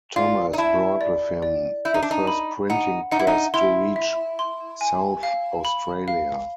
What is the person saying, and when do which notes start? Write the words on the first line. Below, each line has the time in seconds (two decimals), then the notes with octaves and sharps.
Thomas brought with him the first printing press to reach South Australia.
0.16 F4 D5
0.53 D#4
0.58 E4 A5
1.01 D5
1.43 D5
1.85 E4 G6
1.94 D#4
2.03 D4
2.11 D#4
2.27 B5
2.70 D#4 F#5
3.12 D#4 F#5
3.19 E4
3.27 D#4
3.54 E4 C6
3.96 E5
4.39 C6
4.81 G#5
5.23 F5
5.65 B5
6.08 F5